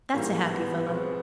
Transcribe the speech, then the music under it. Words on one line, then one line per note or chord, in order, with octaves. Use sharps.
That's a happy fellow!
A1 G#2 E3 G3 A#3
B3
B2 G#3 C4